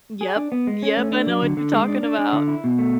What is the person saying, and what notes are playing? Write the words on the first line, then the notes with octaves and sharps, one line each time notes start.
Yep. Yep, I know what you're talking about.
G#4
D4
B3
G#3
C#4
A3
D4
F#3
D3
D3
G#3
D4
D4
D4
D3
E4
B2
A3